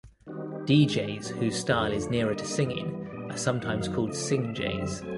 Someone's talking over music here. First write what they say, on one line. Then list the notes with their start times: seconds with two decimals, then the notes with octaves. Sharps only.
Deejays whose style is nearer to singing are sometimes called singjays.
0.27 D#3 G3 C4 D#4 F#4
0.52 G4
0.75 G#2 D#3 G#3
1.23 A#2 F#3 B3 D4
1.69 F2 D3 F3 A3 D4 G#4
1.85 C#5
2.02 C#5
2.17 D3 G3 A#3 D#4 D#5
2.65 G2 E3 G3 B3
3.06 D5
3.12 A#2 G3 B3 D4 D#5
3.29 E5
3.45 F5
3.59 F#2 D#3 F#3 A#3 D#4 F#5
3.76 F5
4.07 C#3 F3 A3 D#5
4.20 D5
4.31 D#5
4.42 E5
4.55 F#2 D3 G3 C4 E5
5.02 F#3 A3 C4 G#5